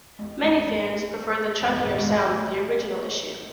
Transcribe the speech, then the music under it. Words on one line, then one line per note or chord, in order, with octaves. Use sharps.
Many fans prefer the chunkier sound of the original issue.
A1 A2
A1 A2
A1 A2
A1 A2
G#1 G#2
A#1 A#2
G#1 G#2
G#1 G#2
A1 A2